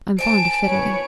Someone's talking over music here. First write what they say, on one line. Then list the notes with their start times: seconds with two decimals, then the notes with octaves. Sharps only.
I'm fond o' fiddling.
0.18 C5 G#5 A5 D7
0.68 B4 C#5